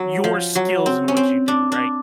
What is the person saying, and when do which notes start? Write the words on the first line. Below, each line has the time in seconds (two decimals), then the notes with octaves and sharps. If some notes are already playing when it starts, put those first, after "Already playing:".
your skills and what you do, right?
Already playing: F#3
0.24 F3
0.55 F#3
0.86 C4
1.08 C#4
1.17 C4
1.48 D4
1.72 D4